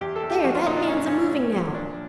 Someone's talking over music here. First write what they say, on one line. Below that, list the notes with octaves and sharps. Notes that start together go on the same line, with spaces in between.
There, that van's a-moving now.
E2 G4
A4
E2
G4
G4
F3 F#4
F4
A#2 D#4
D4
F#2 C#4
D4
C#3 C#4
A2
F3
A#2 D4